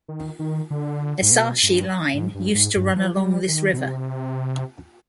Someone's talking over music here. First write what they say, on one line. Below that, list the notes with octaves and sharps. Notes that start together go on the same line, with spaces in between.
Esashi Line used to run along this river.
D#3
D#3
D3
G#2
B2
G2
G#2
G2
G#2
G2
F3
G3
D#3
B2
C3